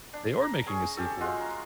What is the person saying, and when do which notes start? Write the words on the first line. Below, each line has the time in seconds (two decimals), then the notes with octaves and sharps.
They are making a sequel.
0.13 D4
0.41 A#5
0.66 C#4 G#4 C#6
0.97 C#4 G4 A4
1.20 G#3 F4 F#4 F5
1.40 A#5